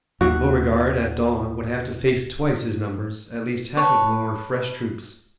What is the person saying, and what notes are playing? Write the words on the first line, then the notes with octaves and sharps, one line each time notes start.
Beauregard, at dawn, would have to face twice his numbers, at least half of whom were fresh troops.
D#2 F#4
B4 C#5 A5